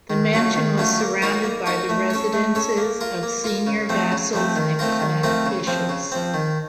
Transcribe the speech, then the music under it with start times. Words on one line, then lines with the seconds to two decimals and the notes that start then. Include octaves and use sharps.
The mansion was surrounded by the residences of senior vassals and clan officials.
0.10 D#3
0.33 F#3 A3 C#4 F4
0.55 D#3
0.78 F#3 A3 C#4 F4
1.00 A#3
1.22 D#4 F#4 A#4 C#5
1.43 A#3
1.66 D#4 F#4 A#4 C#5
1.89 A3
2.10 C#4 A4 C#5
2.33 A3
2.55 C#4 A4 C#5
2.77 A#3
3.01 F4 A#4
3.23 A#3
3.44 F4 A#4
3.67 C#3
3.89 F3 A3 C4
4.12 C#3
4.33 F3 A3 C4
4.56 D#3
4.79 A3 C4 F4 A#4
5.00 D#3
5.23 A3 C4 F4 A#4
5.46 C#3
5.67 F3 C4
5.89 C#3
6.12 F3 C4
6.34 D#3